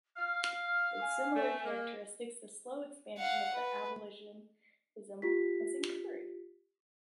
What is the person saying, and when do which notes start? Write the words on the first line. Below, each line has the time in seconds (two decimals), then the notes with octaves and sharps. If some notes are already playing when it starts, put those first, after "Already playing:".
With similar characteristics, the slow expansion of the abolitionism was encouraged.
0.17 F5 F6
0.63 F6
1.01 G#5
1.36 A3
1.65 A#3
3.18 F5 F#5
3.54 B4
5.22 F4 G4 B6